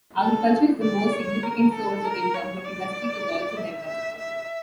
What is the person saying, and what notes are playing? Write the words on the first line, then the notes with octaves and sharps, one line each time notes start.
Agriculture is the most significant source of income, but industry is also developed.
A4
D5
C#5
A#4
A4
A#4
C#5
D5
E5
E5
E5